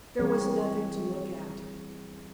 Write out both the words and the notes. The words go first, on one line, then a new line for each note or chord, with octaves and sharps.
There was nothing to look at.
E3 G3 C4 G#4 C#5